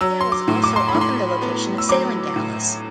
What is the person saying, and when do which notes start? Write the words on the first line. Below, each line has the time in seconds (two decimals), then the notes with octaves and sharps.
Dale is also often the location of sailing galas.
0.01 F#3 E6
0.21 C6
0.32 D6
0.48 A2
0.64 D6
0.76 C6
0.88 B5
0.95 A2
1.01 C6
1.42 B3
1.78 E6
1.89 F#3 D6
2.36 A2